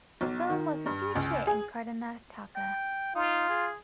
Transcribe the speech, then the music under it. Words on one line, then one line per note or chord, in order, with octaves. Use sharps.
The film was a huge hit in Karnataka.
B1
D#3
G2
C#2
G#4
G5
D#4 F4
G#4